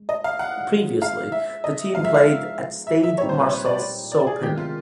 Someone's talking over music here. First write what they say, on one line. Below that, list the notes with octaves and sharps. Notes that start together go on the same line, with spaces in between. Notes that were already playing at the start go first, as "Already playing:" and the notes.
Previously, the team played at Stade Marcel Saupin.
Already playing: G#3
D#5
F5
F#5
G#3 C#4 F4 G#4
F5
E5
D#5
F3 G#3 B3 D#4 F5
E5
F5
E5
E5
A#2 G3 C4 D#4 C#5
C5
B4
C#5
D5
D5
G#4
C3 D#3 G#3 B3 G4
F4